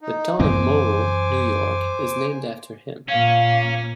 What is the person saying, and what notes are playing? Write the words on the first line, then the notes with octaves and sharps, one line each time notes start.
The town of Moreau, New York is named after him.
D#4
F#2 E3 C4 C5 G#5 D6
A#2 A#3 C#4 F5